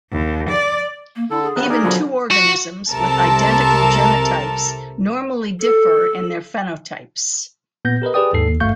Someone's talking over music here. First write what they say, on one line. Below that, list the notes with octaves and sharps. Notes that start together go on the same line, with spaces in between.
Even two organisms with identical genotypes normally differ in their phenotypes.
D#2
D5
A#3
D3 E4 A4
G#4
A1 D#3 B3 F#6
D#4 G#4 A#4 D5
B2 D3 F3 F#3
F#4
C2 C3 A4 A#4 A5
A4
A#2 B3 G6 A#6
G4 A#4 B4 D#5
G4 G#4 B4 D5 G5 D#6
D#2 G#2 A4 C7
D#2
G#1 G2 A3 F5 C#6 G6